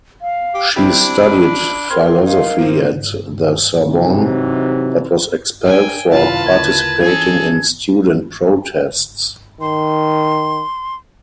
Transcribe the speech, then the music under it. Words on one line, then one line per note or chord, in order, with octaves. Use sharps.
She studied philosophy at the Sorbonne, but was expelled for participating in student protests.
F5
G4
C4 D4 E4 G4 B5
C4 A#4 C6 F6 G#6
D#4 F5
F3 A#3 C4
C3 E3 F#3 D#4
D4 A#4 G5 G#5
F#2 C3 D#3 E4 F4 B4 F5 A5
D2 C#3 A#4 G#6
E3 C#4 G#4 A4
D#3 C6